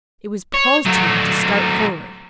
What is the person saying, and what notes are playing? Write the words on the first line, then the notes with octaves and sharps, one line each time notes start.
It was Paul's turn to start forward.
C#5
F#3 A3